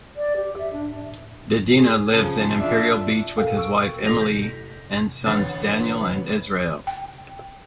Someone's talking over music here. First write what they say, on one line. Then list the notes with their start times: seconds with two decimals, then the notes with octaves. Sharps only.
Dedina lives in Imperial Beach with his wife Emily and sons Daniel and Israel.
0.17 D5
0.37 G4
0.59 E5
0.73 D4
1.71 G#4
2.12 C#3 F3 A5
2.59 D4 F4 E5
3.37 A4 A#4 F5 G5
3.57 C#6 E6 D7
4.03 A1 A4 A#6 F7
4.20 G6 A#6 B6
5.26 A1 D3 B3 A6
6.87 G5